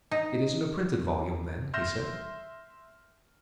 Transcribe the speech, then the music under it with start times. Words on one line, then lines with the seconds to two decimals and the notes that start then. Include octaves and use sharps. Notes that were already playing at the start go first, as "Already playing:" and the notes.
"It isn't a printed volume, then?" he said.
0.11 D#4
1.74 E5 C6 F6 G6 A#6 E7